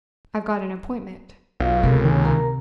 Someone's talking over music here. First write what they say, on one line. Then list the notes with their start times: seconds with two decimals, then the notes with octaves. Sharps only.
I've got an appointment.'
1.60 B1 F4 F5
1.83 C#2 C3 B3 A4 A#4
2.05 D#3 A#3 C#5 G#5
2.23 A#4 A#5